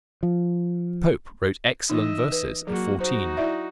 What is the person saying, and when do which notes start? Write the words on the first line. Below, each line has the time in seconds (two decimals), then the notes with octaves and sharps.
Pope wrote excellent verses at fourteen.
0.23 F3
1.90 E3 D#4 D#5 E5
2.32 B4
2.67 F#3 A#3 F#4 G#4
3.00 D#4 F#4 C5
3.37 E4 D5 E5